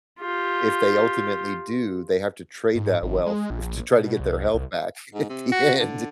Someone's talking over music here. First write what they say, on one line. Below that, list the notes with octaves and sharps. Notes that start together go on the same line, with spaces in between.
if they ultimately do, they have to trade that wealth to try to get their health back at the end.
F4 G4
G#2
G#1
G#3
A#1
B2
C2
C2
G#2
C3
F#4
D3